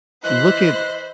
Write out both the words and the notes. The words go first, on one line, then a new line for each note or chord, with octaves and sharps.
Look at
E3 C5 D#5 B5 F#6